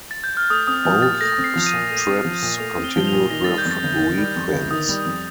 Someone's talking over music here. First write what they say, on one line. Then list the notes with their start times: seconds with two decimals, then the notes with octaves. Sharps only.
Both strips continued with reprints.
0.11 A6
0.24 G6
0.37 F6
0.50 A3 D#6
0.67 C4 D#6
0.85 F3
1.02 A#2 A6
1.21 A3 A#6
1.38 C4
1.44 C7
1.56 F3 F7
1.67 D#7
1.73 A#2
1.90 A3
2.08 C4
2.25 F3
2.42 A#2
2.60 A3 F7
2.77 C4
2.84 G7
2.96 F3 G7
3.07 F7
3.12 A#2
3.30 D#3 A#6
3.44 G3 A6
3.58 G6
3.65 F2
3.71 A6
3.83 G1
4.00 D#3
4.17 G3
4.36 F2
4.52 G1
4.71 D#3 D#6
4.89 G3
5.05 F2